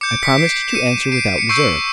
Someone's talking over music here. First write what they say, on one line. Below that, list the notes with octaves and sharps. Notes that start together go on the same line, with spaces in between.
I promised to answer without reserve.
D6 G6 C#7
D7
B6 C#7
C7 D7
E7
C#7 D#7
C7 D7
C#7
C#6 E6 G6 C7 D7